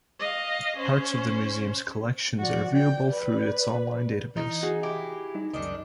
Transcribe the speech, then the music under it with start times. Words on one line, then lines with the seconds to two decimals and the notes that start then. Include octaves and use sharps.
Parts of the museum's collections are viewable through its online database.
0.20 D#5 F5
0.77 C#4 C5
2.38 F3 F#4 D5
2.71 D5 G5
3.10 B4
4.37 E3 D#4
4.63 F#4 G#4
4.83 E4 G4
5.35 G3 D#4
5.53 C#2 F#2 D#3 D4